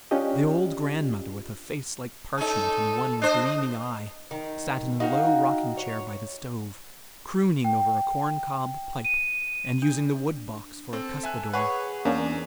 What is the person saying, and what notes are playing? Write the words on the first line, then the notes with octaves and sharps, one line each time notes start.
The old grandmother, with a face like parchment and one gleaming eye, sat in a low rocking-chair by the stove, crooning over a corn-cob pipe and using the wood-box for a cuspadore.
C#4 D4 F4 G4 D#5
C#4 D#4 A4
D4 C5 D#5
D#3
D#4 F#4 F5 G5
C#5
G5
D#7
D4
C4 A4
E5 G#5 F#6
G#4 B4 C#5 F#5
E2 A#3 C#4 D4